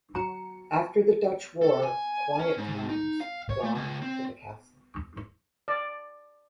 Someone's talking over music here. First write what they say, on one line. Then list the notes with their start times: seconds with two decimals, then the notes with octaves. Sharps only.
After the Dutch War quiet times dawned for the castle.
0.15 F#3 F#4 A#5 C#7
1.62 A4
1.83 G#5
2.39 C#4
2.57 G#2
2.89 D#4
3.20 F5
3.50 C#5
3.63 A3
3.75 C#2
4.02 C4
5.68 D5